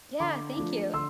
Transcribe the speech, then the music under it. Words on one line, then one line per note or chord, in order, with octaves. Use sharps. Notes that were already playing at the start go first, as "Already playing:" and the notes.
Yeah, thank you.
D3 A#5 D6
F3 A3 D4
D3 C6 E6